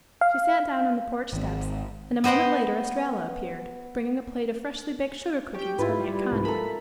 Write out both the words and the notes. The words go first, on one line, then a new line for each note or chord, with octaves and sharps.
She sat down on the porch steps, and a moment later Estralla appeared bringing a plate of freshly baked sugar cookies from Aunt Connie.
F5
G#1
B3 C5 D#5 F#5 G5
G4 G5 C#6
G#2 E4 F4 B4
G3
C2 G#2
A4 A#4 B5